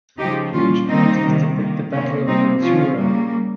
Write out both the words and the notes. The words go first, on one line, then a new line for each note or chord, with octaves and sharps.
Huge paintings depict the Battle of Mansoura.
C#3 F3 G#3 D#4 G4
A#2 G3 A#3 C#4 F4
D#3 G3 A#3 C4 D#4
C3 D#3 G3 A#3
D#3 A#3
C3 D#3 A#3 C#4
C3 G3 A#3 C4 D#4
C3 F3 G#3 C#4 F4
C#3 G3 A#3